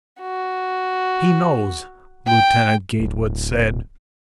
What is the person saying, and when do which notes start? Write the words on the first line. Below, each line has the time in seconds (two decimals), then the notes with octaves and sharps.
"He knows," Lieutenant Gatewood said.
0.21 F#4
2.27 G5
2.99 D1